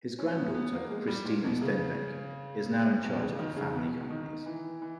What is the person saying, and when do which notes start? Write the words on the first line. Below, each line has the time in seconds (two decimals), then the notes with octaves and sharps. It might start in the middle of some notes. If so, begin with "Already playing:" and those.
His granddaughter, Cristina Stenbeck is now in charge of the family companies.
0.19 C#4
0.37 B3
0.55 B3
0.72 A#3
0.90 G#3
1.07 G3
1.25 A#2
1.44 B2
1.62 C#3
3.04 B2
3.22 C#3
3.39 D#3
3.57 C#3
3.75 B2
4.10 D#3
4.46 E3
4.82 E3